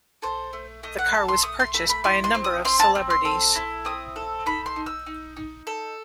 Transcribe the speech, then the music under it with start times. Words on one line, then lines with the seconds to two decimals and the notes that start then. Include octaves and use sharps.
The car was purchased by a number of celebrities.
0.22 A4 C5
0.53 A3
0.83 A3 D#5
0.99 F#5
1.14 A4 A5
1.28 C6
1.43 A3 D#6
1.59 C6
1.74 A3 B5
1.89 B5
2.04 E4 C6
2.24 C6
2.35 C4
2.44 D#6
2.65 C4 C6
2.80 A5
2.95 C4
3.10 C6
3.25 A4
3.55 E4
3.85 C4 D#6
4.16 A4
4.46 D#4 B5
4.66 C6
4.76 D#4
4.86 E6
5.06 D#4
5.37 D#4
5.67 A4